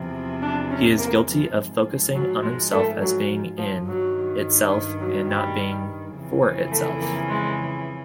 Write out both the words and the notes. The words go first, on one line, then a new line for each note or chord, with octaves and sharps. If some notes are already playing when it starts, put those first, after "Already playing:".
He is guilty of focusing on himself as being-in-itself and not being-for-itself.
Already playing: E2 C3 F3
D4
C#4
A#3
F3
G#2 F3
F#3
G#3
A3
F#3
F3
F3
G2 D#3 F#3
F#3
G3
F2 C#3 E3
A3
A#3
G#3